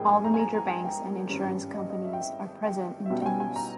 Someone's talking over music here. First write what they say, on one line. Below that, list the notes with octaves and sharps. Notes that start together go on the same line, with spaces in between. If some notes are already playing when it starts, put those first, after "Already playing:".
All the major banks and insurance companies are present in Toulouse.
Already playing: A#1 G#2 G3 G#4 A#4 G5
G#5
A#5
G#5
A#5
A#5
G#5
G5
G#1 G2 G3 C#4
D#5
D#5
E5
G5
E5
G5
E5
B1 B2 G3 C#4 G5
G5
G#5
G#5
A#5